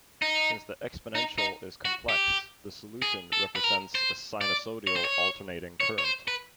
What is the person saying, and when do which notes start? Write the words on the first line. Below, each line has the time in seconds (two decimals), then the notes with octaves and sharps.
Since the exponential is complex, the solution represents a sinusoidal alternating current.
0.22 D#4
1.15 D#4
1.38 D#4
1.85 F#4
2.09 G4
3.02 G#4
3.33 A4
3.56 B4
3.64 A#4
3.95 C5
4.41 D5
4.87 C#5
4.96 C5
5.04 C#5
5.80 C#5
5.99 C#5
6.04 C5
6.28 B4